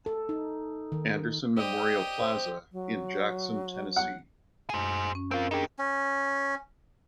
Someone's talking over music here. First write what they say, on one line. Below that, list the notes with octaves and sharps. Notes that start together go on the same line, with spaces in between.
Anderson Memorial Plaza in Jackson, Tennessee.
A4
D#4
D#3
G4 C5 D5 D#5
C5
F#3
F#5
F#2 G#4 C5 G#5
C#4
C4 F4 A#4
D4 D#4 G4 G#4 A#4
C#4